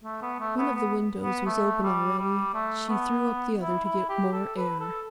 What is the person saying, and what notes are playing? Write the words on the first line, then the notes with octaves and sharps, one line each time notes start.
One of the windows was open already; she threw up the other to get more air.
A3
B3
A3
B3
B3
B3
A3
G3
G3
A3
B3
E4
E4
G4
A4
B4
A4